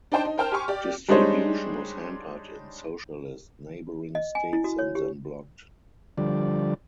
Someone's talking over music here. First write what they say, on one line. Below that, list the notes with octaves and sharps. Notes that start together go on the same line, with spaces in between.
Distribution was hampered in "socialist" neighbouring states and then blocked.
D4 D#4 C5 G5 A5 C6
D#4
A#4 C5 G5 A5 F6
G4 G#5 C6 C#6
G4 D5
G3 G#3 D4 D#4 C5 C#5
D#5
G#5
E4
F#4
C#5
G4
D3 F3 G3 D5